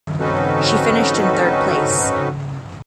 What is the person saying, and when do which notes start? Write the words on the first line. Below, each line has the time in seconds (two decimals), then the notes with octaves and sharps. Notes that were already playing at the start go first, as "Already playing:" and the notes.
She finished in third place.
0.20 C4 C#4 D#4 F#4 A4 B4